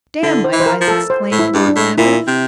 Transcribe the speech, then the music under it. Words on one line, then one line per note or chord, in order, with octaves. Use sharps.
"Damn my eyes!" exclaimed Lord Lambeth.
D3 E4
C5
E3
C5
A#4
F3
A4
C5
A2
E4
G2
D4
A2
A#2 E4
C3